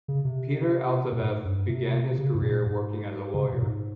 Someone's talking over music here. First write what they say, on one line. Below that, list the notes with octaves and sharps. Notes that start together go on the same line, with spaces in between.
Peter Altabef began his career working as a lawyer.
C#3
C3
A#2
G#2
G2
C3
C3
C#3
G#2
A#2
G#2
C#3
C3
A#2
G#2